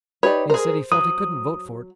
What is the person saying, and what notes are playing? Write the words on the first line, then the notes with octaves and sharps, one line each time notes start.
And he said he felt he couldn't vote for it.
D#4 G4 B4 C#5 D5
G#4 A#4 C5
F#3 D#6